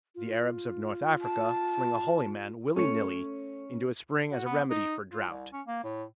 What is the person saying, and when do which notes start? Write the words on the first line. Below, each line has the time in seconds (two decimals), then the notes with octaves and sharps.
The Arabs of North Africa fling a holy man, willy-nilly, into a spring as a remedy for drought.
0.15 F4
1.21 A5
2.76 A3 C#4 A4 C#5
4.31 F#4
4.45 B3
4.70 D#4
5.11 F4
5.29 C2
5.52 C#4
5.67 A#3
5.84 A2